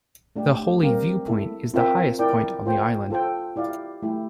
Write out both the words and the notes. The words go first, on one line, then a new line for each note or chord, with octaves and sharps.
The Holy viewpoint is the highest point on the island.
A3 D4 G4
G3 C4 G4 A#4 F5
E4 A4 E5
C4 F4 A#4 E5 G5
E4 A#4 D5 G5
F4 C5 G5
F4 A4 C5 G5
E4 G4 D5 F5
A3 E4 G4